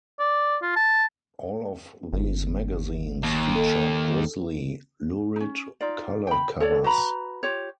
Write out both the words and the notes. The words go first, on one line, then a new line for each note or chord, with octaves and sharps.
All of these magazines featured grisly, lurid color covers.
D5
F4
A5
G1
D#2
A4
C#4 D#4
D#4 F4 D5
G5 B5
A4 C#5 D5
F#4 B4 A#5 B5
F4 G4 C#5